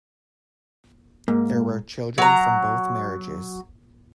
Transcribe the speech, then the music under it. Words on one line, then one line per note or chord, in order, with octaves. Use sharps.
There were children from both marriages.
G#2 A#3
F#3 A#5